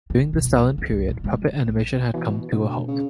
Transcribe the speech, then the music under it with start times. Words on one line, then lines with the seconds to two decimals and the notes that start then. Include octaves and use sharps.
During the Stalin period, puppet animation had come to a halt.
0.10 C#3
0.33 B2
0.45 C2
0.57 F2
0.78 F#1
0.91 C2
1.08 A#2
1.24 G#3
1.67 A#1
2.14 B2 E3
2.52 D2 B2
2.88 C#3